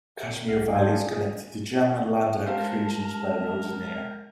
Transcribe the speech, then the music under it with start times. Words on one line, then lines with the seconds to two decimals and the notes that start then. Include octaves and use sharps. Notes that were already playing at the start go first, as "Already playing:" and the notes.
Kashmir valley is connected to Jammu and Ladakh regions by road and air.
0.20 E5
0.48 C2 E5 F#5 F6 C7
0.73 G#2 F#3 A5 C6 G6 G#6
0.89 A#4 D5 F5 G#5 A5
1.06 F4 G#4
2.46 G#3 G4 A#4 C5 F5 A5